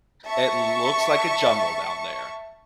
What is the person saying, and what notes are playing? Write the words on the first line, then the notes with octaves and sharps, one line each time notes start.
it looks like a jungle down there,
E5 A5 C#6